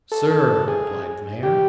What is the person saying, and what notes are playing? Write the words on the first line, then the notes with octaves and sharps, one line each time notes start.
"Sir," replied the mayor.
A4
A4
G#4
G4